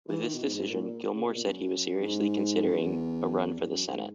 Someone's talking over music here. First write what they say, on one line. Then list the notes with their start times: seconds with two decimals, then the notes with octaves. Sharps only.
With this decision, Gilmore said he was seriously considering a run for the Senate.
0.08 E3
0.23 D#3
0.34 B2
0.44 G#2
0.54 G#2
0.68 A#2
0.84 A#2
1.14 C#3
1.25 B2
1.34 A#2
1.44 F#2
2.01 F#2
2.05 G#2
2.66 F#2
2.82 E2
3.57 F#2
3.71 F#2
3.88 G#2